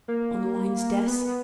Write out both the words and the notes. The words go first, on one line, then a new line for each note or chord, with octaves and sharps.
"On Lyne's desk?"
A#3
B3